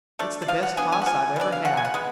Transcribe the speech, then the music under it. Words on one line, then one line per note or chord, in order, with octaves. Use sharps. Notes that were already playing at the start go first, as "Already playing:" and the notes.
It's the best hoss I've ever had.'
A3 D4 D5
D5
F3 F5
F#5
B3 D4 G#5
G#5
F#5
F3 G#5
B3 D4 D5
F5
C#3 F#5
G#5
F#5
G#3 B3